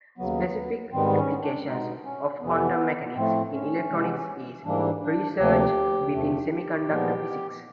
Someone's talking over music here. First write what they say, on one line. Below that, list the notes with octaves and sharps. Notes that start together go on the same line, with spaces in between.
Specific applications of quantum mechanics in electronics is researched within semiconductor physics.
D#2 C#3 F#3 B3
G#2 D#3 G3 B3 C4
C#4
D4
B2 G#3 B3 D#4
C#4
F2 C3 E3 B3
A2 F3 A3 C4
C#4
C3 E3 G#3 B3
G#2 E3 G3 A#3 D4
D4
D2 C3 F3 A#3 G4
E2 C3 F3 A3
A#2 F3 G#3 B3